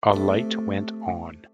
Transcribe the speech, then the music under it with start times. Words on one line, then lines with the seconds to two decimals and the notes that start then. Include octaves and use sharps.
A light went on.
0.13 C3 A3